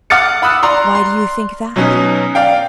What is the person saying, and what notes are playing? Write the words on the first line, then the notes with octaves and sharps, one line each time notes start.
"Why do you think that?"
F#5 D6 F6 A6 C#7
F#5 B5 D#6 E6 F#6
D5 A#5 C6
C6
B2 F#3 B3 C#4 D#4
D5 F5 G5